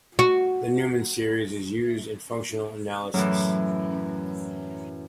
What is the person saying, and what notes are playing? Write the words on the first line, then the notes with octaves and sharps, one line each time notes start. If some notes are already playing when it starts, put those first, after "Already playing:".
The Neumann series is used in functional analysis.
F#4
F#2 A2 E3 F#3